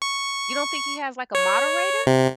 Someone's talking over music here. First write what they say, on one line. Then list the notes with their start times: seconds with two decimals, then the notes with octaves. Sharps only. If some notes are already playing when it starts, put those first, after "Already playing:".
You don't think he has, like, a moderator?
0.02 C#6
1.35 C#5
2.07 C3